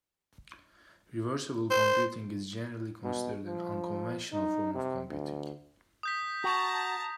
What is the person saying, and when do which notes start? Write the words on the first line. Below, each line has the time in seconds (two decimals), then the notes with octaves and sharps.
Reversible computing is generally considered an unconventional form of computing.
1.71 C5
3.04 B2
3.45 F3
4.33 D#4
4.74 C3
5.09 D2
6.03 D#6 G6 B6
6.44 F#4 A5 A#5